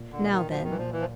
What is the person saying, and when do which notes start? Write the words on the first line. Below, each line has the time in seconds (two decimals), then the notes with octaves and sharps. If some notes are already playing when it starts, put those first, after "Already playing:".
"Now, then!"
Already playing: A#2
0.12 D3
0.21 A#2
0.31 D#3
0.49 F3 F#3
0.64 D#3
0.71 E3
0.78 A#2 F3
0.92 E3
1.01 F3